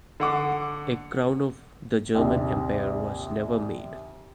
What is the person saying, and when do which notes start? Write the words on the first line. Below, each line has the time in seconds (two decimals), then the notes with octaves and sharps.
A Crown of the German Empire was never made.
0.20 D3 F#5 D6
2.15 A#1 D#2 C3